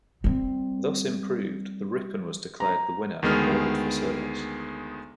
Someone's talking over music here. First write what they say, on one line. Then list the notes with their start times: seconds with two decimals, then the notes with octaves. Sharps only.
Thus improved, the Ripon was declared the winner and ordered for service.
0.24 G3 C4
2.60 A#5
3.23 D2 D#3 G#3 B3 F6